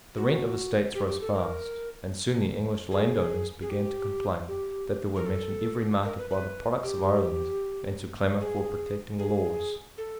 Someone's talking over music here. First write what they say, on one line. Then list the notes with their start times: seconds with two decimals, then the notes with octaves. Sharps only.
The rent of estates rose fast; and soon the English landowners began to complain that they were met in every market by the products of Ireland, and to clamour for protecting laws.
0.17 F#4
0.95 G4
1.08 G4
1.21 A4
1.34 A#4
2.91 G#4
3.62 G#4
3.70 G4
4.48 G4
5.16 A#4
5.26 A4
6.05 A#4
6.18 B4
6.31 B4
6.83 G4
8.41 G#4
9.19 G#4
9.98 A4